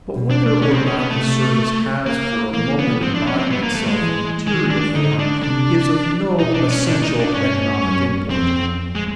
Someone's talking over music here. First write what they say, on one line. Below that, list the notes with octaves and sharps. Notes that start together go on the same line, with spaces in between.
But whether or not the service has for a moment embodied itself in material form is of no essential economic import.
B2
D4
D4
C#3 C#4
C4
C#4
B3
C3 A3
A#3
E3 A#3
B3
F3 C4
D4
C#4
C4
B3
A#3
A3
G#3
E3
D#3 G#3
D4
D3 D#4
D4
C3 D4
B2 D#4
D4
C#4
A2 D4
D#4
D4
G2 C#4
F#2
F2 C4
G#3